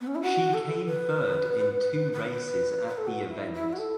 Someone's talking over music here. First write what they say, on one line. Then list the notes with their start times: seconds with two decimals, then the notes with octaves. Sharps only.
She came third in two races at the event.
0.01 B3
0.07 C#4
0.15 E4
0.22 F#4
0.54 A4
0.86 B4
2.13 B4
2.88 B4
2.98 A4
3.07 F#4
3.30 E4
3.54 E4
3.73 F#4
3.78 A4